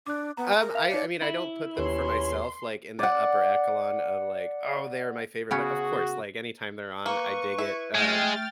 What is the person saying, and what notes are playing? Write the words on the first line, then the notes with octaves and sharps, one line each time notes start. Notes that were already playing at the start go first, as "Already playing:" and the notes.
Um, I I mean, I don't put them for myself, like, in that upper echelon of like, "Oh, they're my favorite," but of course, like, anytime they're on, I dig it, um
D4 D6 F#6
B3 A#5
A#4
E5 F5 F7
D#4 C#5 D5 C#7
E4
D#2 B2 C#4 G4 B4 C#5 C6
D5 F#5
C#3 B3 C#4 F#4 G#4
A#3 B4 C#6
E4
G#3 A3 G5 F6 A6